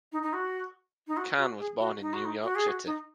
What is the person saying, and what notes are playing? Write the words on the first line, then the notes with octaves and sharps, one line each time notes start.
Kahn was born in New York City.
D#4
D#4
F#4
D#4
F#4
F#4
G#4
F#4
D#4
F#4
D#4
F#4
G#4
F#4
D#4